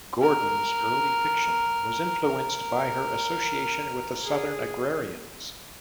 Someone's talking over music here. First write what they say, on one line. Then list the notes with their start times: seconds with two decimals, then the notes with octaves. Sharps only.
Gordon's early fiction was influenced by her association with the Southern Agrarians.
0.21 A#4
2.23 A#4
4.25 G#4